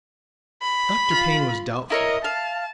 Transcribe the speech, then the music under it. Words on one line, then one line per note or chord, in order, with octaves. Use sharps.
Dr. Payne was doubtful.
B5
F4
E4 A#4 C#5 D#5
F5 A5